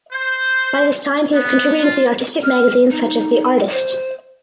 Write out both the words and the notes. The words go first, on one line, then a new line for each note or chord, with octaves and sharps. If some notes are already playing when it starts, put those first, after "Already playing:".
By this time he was contributing to artistic magazines such as "The Artist".
C5
B3
F4
F6
D#4
C5